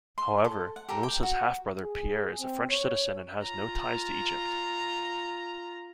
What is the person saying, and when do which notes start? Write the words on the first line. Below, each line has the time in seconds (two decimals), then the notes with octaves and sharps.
However, Moussa's half-brother Pierre is a French citizen and has no ties to Egypt.
0.18 C6
0.44 A4
0.76 F#5
0.89 G4 A4 A#4
1.03 G5
1.23 F#4
1.83 G#4
2.41 C4
2.70 C#5
3.43 F4 A#5